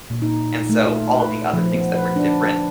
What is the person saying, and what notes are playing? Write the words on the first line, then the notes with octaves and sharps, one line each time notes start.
and so all of the other things that were different
A#2
D#4
A3
F4
B4
F3
B3
B4
D4